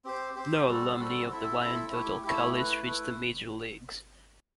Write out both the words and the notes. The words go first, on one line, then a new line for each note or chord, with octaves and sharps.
No alumni of the Wyandotte Alkalis reached the major leagues.
C4 G4 C5
C4 G4 C5
G3 C4 F#4 A4
G3 C4 F#4 A4
C4 E4 A4 E5
C4 E4 A4 E5
A3 E4 G4
A3 E4 G4
A3 E4 B4
A3 E4 B4